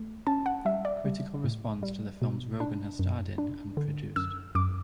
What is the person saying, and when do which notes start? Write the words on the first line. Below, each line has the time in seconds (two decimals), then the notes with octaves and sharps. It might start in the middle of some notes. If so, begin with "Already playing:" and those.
Critical response to the films Rogen has starred in and produced.
Already playing: A3
0.27 C#4 A5
0.46 F#5
0.65 G3 E5
0.85 D5
1.05 G3
1.44 A2
1.83 G3
2.22 B2
2.60 D4
2.99 F#2
3.38 D4
3.77 D3
4.16 F#2 E6
4.55 F#2 D6